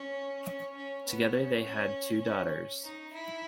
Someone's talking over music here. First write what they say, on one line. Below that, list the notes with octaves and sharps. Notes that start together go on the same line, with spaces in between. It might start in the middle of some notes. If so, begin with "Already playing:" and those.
Together, they had two daughters.
Already playing: C#4
C#4
C#4
B3
C#4
C#4
C#4
D#4
E4